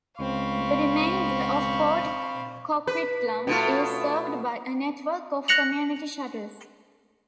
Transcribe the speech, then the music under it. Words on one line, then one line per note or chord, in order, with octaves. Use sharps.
The remainder of Port Coquitlam is served by a network of Community Shuttles.
C#2 C4 F5 B5 C#6
B4
B2 A3 F4
F#6 A#6 C#7 F7 F#7